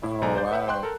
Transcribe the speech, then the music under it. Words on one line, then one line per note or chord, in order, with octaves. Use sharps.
Oh, wow.
E4
B1 A4 D5 G#5 A#5
C5 D5 G6
B4 E5 F#5
C5 G5 C6 F#6
A4 A#4